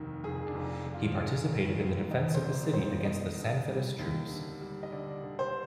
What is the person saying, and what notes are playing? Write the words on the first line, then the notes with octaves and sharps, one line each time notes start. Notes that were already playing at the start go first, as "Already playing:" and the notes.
He participated in the defence of the city against the Sanfedist troops.
Already playing: F1 D#2 D#3
F1 G#4
D4
F1
F1
F4
F1 G#4
D#3
B4
D#2
F1 D#5
C5
F1 D5
D#2 C5
B3 D#5
D3
G3
D#2
D3
G3
D#5
D3 D5
D3
C5